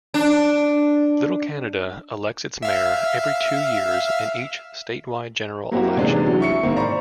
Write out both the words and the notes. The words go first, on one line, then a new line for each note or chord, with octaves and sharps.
Little Canada elects its mayor every two years in each statewide general election.
D4
E5 F5
F#3 A#3 C4 E4 F#4 G4
C3 E3 G#3 D4 D#4
F#3
E5 C#6 C#7
G#2 D#3 A#3 C4
C5 D5 A#5 B5 C#6